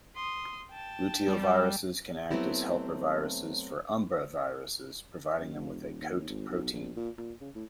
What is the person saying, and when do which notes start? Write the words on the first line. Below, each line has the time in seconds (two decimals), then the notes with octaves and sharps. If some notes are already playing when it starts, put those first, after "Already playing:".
Luteoviruses can act as helper viruses for Umbraviruses, providing them with a coat protein.
0.16 C6 D#6
0.70 G5 A5
1.28 G3
2.30 F#3 A3 B3 C4 E4 G4
5.40 F#2
5.55 F1
5.80 D#1
6.01 D#2
6.28 G#1
6.49 B1
6.72 A#1
6.96 A#2
7.18 A#2
7.41 C#3
7.55 A2